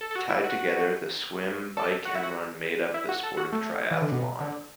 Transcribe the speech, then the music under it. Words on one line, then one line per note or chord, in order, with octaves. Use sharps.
Tied together, the swim, bike and run make up the sport of triathlon.
A4
A4
F#4
E4
F#4
A4
F#4
E4
F#4
E4
F#4
A4
F#4
A3
E3
D3
B2
D3